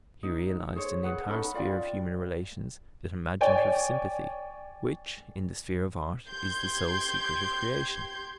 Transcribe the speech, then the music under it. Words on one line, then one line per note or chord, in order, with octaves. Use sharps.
He realised in the entire sphere of human relations that imaginative sympathy which in the sphere of Art is the sole secret of creation.
D#4
G#4 C5 C#5
G#4 B4 F#5
C#4 D#4 A4 B5
F4 D5 G5
C#5 D5 G5 G#5
G4 C6 G6 G#6